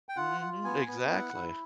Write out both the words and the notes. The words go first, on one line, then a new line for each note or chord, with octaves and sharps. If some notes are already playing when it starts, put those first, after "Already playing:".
Mhm, exactly.
G5
F4 F#5
F4
B3 G#5
B3
E4 F#5
E4